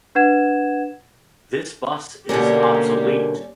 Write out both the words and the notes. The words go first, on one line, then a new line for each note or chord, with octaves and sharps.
This bus is obsolete.
D4 B4 F#5 G#6 E7
B2 D3 G3 A#3 C#4 G4 A#4